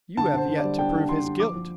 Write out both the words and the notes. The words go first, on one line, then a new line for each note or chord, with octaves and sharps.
"You have yet to prove his guilt."
D3 A5
D3 C5
D3
D5
G3
D4 G5
D3
G3 C6
D3
F3 D6
F3